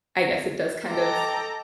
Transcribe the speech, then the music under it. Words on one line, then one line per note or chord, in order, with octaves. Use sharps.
I guess it does kind of
A4 D#5 G5 A#5 D6